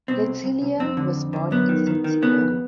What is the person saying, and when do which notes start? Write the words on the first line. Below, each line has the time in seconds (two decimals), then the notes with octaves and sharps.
Letelier was born in Santiago.
0.08 B2 C4
0.26 C2
0.44 C2
0.62 C2
0.80 F2 C4
0.97 D3
1.15 F2
1.33 D3
1.51 F#2 B3
1.69 D#3
1.87 D#3
2.04 D#3
2.22 C#3 B3
2.41 F2